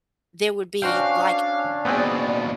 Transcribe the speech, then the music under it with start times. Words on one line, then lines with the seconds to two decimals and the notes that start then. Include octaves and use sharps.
there would be, like,
0.82 C#4 D4 F#4 C5 F5 G5
1.85 D#2 B2 B3 C4 G#4 D5